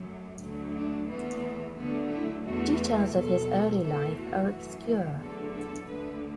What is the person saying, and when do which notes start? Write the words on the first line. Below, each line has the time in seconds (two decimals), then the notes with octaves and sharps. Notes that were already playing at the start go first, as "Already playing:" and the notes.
Details of his early life are obscure.
Already playing: F#2 F#3 A3
0.40 D2 D3 F#3 A3
0.73 D4
1.08 E2 E3 A3 B3
1.76 D2 D3 F#3 A3 B3
2.10 E4
2.44 E2 E3 A3 F#4
3.12 E2 B2 F#3 A4
3.82 E2 E3 A3 A4
4.16 F#4
4.49 F#2 E3 A3
4.83 E4
5.17 E2 D3 F#3 A3 A4
5.53 A4
5.86 D2 D3 A3 B4